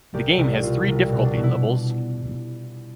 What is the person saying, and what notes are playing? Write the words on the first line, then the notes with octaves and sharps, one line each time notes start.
The game has three difficulty levels.
C2 G4
C2 E4
B2 F4
C2 F4
B2
D4
B2
E4